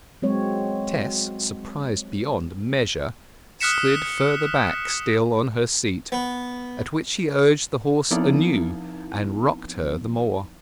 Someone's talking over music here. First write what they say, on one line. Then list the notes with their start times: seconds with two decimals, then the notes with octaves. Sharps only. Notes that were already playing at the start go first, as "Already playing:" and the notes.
Tess, surprised beyond measure, slid farther back still on her seat, at which he urged the horse anew, and rocked her the more.
0.22 F#3 G#3 C4 C#5
3.61 D#6 F6 F#6 B6 C#7 E7
6.12 B3
8.11 F3 B3 C4 D#4 E4